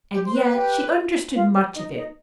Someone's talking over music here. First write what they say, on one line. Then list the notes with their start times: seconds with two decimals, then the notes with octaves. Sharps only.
And yet she understood much of it.
0.13 G4
0.26 C5 C6
0.33 B4
0.53 G4 G5
1.34 F4 F5
1.75 D#4 D#5
1.95 D#4 D#5